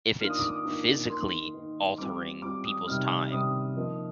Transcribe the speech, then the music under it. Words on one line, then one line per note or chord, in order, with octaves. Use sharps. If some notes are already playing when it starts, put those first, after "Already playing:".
if it's physically altering people's time,
D#3 A#3 D4 F4 F6
D#6
D6
D#6
D#3 A#3 D4 F4 D6
D#3 A#3 D#4 C6
D#3 A#3 D#4
G3 C4 F4 D6
G3 C4 F4 D6
D#6
C3 D#3 G3 C4 F6
C3 D#3 G3 C4 D#6
F3 A#3 D#4